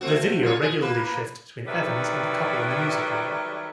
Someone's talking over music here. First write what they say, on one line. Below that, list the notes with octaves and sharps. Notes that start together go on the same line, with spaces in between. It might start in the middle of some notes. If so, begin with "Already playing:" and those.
The video regularly shifts between Evans and the couple in the music video.
A3 C4 F#4
F2 F4 C#5
G#4
A#3 B4
D#3 F#3 G3 A4 B4 E5